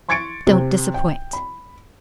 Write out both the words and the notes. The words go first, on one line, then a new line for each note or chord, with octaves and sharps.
Don't disappoint.
C6 C#6 G#6 A6 C#7 D7
C3
G5
B5